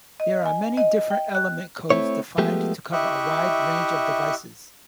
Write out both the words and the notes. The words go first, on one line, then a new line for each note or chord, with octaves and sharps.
There are many different element codes defined to cover a wide range of devices.
D#5
G#5
D#5
G5
F#6
A3 C4 E4 C#5
F3 G#3 A3 B3 G4
E4 G4 D#5 E5 C#6 F#6